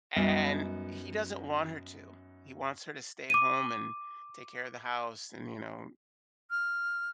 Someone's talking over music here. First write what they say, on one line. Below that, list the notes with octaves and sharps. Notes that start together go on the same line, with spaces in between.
And he doesn't want her to. He wants her to stay at home and take care of the house and, you know,
F#2 G3 B3 D#4
D6 D#7
F6